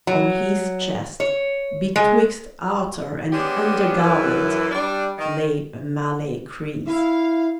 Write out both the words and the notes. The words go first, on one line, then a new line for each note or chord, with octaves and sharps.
On his chest, betwixt outer and under garment, lay a Malay kreese.
F#3
C#5
G#3
G#3 B3 C#4 D4 G4
F#2 E3
G3 D4
D#3
E4 F5